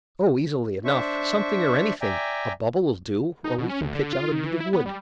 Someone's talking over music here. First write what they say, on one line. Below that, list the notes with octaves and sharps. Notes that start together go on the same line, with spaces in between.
"Oh, easily enough; something or anything--a bubble'll do, or we can pitch out a bit of wood."
D4 C5 E5 C#6
D5 E5 G5 G#5 A#5
D#4
B2
C#4
D2
D3
F4
D#3
E3
E4
B3
G3